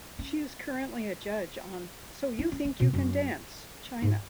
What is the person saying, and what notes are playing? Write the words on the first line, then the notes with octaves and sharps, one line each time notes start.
She is currently a judge on So You Think You Can Dance China.
C#4
D#4
C#4
C#4
B2
F#2
G#2